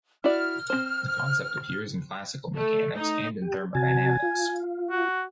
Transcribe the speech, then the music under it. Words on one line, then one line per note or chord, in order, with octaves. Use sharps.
The concept appears in classical mechanics and in thermodynamics.
E4 F#4 D5 F6
C4 C5
A3
D#4
G4
C3 F#4 G#5 A5
F4
F#4